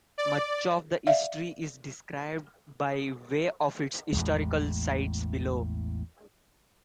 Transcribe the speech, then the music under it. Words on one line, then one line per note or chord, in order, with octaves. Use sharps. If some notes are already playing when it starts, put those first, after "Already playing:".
Much of the history is described by way of its historical sites below.
D5
D5 E5 F5
A1 E2 G#2 G#3